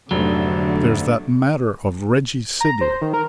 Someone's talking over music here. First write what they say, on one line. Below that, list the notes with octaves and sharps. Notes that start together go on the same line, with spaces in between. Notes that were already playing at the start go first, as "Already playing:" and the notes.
There's that matter of Reggie Sidley.
F1 G#2 D3 F#3 A3
A#5
C5
D#3
A#4